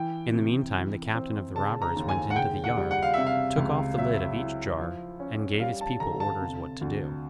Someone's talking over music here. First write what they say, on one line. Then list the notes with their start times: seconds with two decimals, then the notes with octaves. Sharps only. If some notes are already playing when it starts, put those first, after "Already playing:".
In the meantime the captain of the robbers went into the yard, took off the lid of each jar, and gave his people orders what to do.
Already playing: E3 G5
0.33 C3
0.75 E3
1.15 C4
1.55 C#3 A5
1.82 A#5
1.96 D#2
2.09 G#5
2.30 F#5
2.36 C#3 G5
2.64 F#5
2.77 G3
2.91 F#5
3.02 F5
3.14 C3 E5
3.27 F5
3.57 C#2
3.98 F#3 E5
4.39 E4
4.80 F3
5.20 C#4
5.60 G3 F5
5.81 A5
6.00 D3 A#5
6.20 A5
6.41 C3
6.81 D2